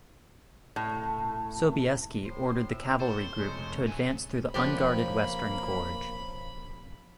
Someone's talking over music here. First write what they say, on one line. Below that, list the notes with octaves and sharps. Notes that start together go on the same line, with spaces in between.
Sobieski ordered the cavalry group to advance through the unguarded western gorge.
A2
A2 C5
E5
A4 C5 C#5
F2 C3 G#3 A3 D#4 G#4 C#5
F#2 F#3 G#5
F3 A#3 D4 G4 C5 C#5 B5